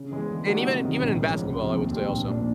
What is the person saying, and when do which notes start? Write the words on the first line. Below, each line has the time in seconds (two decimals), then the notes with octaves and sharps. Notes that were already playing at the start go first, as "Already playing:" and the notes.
and even in even in basketball, I would say also.
Already playing: C#3
0.11 E3 G#3 B3
0.29 D3
0.47 G3 A#3 D#4 F#4
0.65 C3
0.83 D#3 F#3 B3 D#4
1.01 A#1
1.19 G#2 F3 A#3 C#4
1.37 C#2
1.55 C3 F3
1.73 D#2
1.91 D#3 G3 C4
2.09 A#1
2.28 A#2 F3 A#3 D4